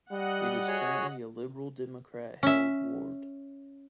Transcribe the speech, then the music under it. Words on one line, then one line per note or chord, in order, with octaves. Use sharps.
It is currently a Liberal Democrat held ward.
G3 D#5 F#5
F#4 G#4 C#5
C#4 E5